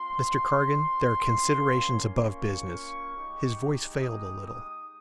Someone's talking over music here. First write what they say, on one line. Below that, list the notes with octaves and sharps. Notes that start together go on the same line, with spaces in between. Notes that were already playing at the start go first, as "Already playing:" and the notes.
Mr. Cargan, there are considerations above business.' His voice failed a little.
Already playing: C4 F4 C6
A#3 C#4 F4
C#6
G#3 D#4 G4
D#6
D#6